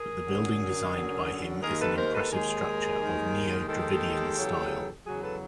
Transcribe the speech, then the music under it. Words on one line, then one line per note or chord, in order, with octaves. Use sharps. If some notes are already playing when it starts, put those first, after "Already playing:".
But the building designed by him is an impressive structure of Neo Dravidian style.
Already playing: G#4 A#4
F#2 D3 F#3
F#2 D3 F#3
D#2 D#3 G#3 G#4 A#4
A4 B4
A#4 C5
A4 B4
D#2 D#3 G#3 G#4 A#4
D#2 D#3 G#3
D#2 D#3 G#3 G4 A4
E2 C#3 F#3
E2 C#3 F#3 F#4 G#4
A4 B4